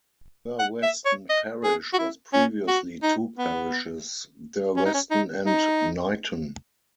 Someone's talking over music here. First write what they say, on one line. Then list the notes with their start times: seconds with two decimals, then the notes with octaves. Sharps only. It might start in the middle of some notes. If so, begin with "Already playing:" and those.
Durweston parish was previously two parishes: Durweston and Knighton.
0.59 F#5
0.83 E5
1.05 C#5
1.29 D#5
1.64 G#4
1.93 F#4
1.98 E4
2.33 C#4
2.68 F#4
3.03 D#4
3.37 B3
4.76 C#4
4.85 D#4
4.94 C#4
5.11 D#4
5.46 D#4